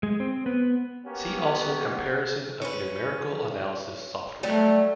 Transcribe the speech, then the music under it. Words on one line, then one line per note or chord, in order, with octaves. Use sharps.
See also Comparison of numerical analysis software.
G#3
C4
B3
A#3 B3 C#4 F#4 G4
C#4 B4
F#3 G3 A3